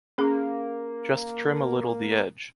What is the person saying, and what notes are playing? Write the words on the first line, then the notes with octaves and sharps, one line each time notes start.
Just trim a little the edge.
A#3 C#4 G#4